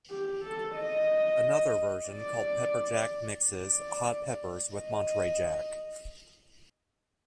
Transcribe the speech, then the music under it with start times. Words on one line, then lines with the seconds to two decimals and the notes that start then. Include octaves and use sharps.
Another version called pepper jack mixes hot peppers with Monterey Jack.
0.10 G4
0.43 A4
0.76 D#5
2.08 D5
3.40 D5
4.72 D#5